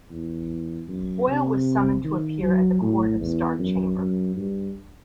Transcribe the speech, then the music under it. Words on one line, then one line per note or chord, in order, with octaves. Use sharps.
Boyle was summoned to appear at the Court of Star Chamber.
E2
F#2
C3
D#3
F#3
A2
E2
F#2
F#2
G2